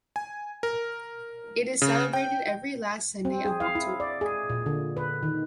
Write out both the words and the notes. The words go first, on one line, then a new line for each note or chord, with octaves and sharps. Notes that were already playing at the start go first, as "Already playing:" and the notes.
It is celebrated every last Sunday of October.
G#5
A#4
C#3
G5
C4
G#4
F5
E4
D5
G#4
A#2
D3
B4
D#3